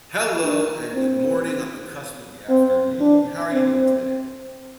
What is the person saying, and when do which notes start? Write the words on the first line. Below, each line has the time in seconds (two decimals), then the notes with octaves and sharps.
Hello, and good morning on the cusp of the afternoon. How are you doing today?
0.43 D4
0.94 C4
2.49 C4
3.00 D4
3.52 C4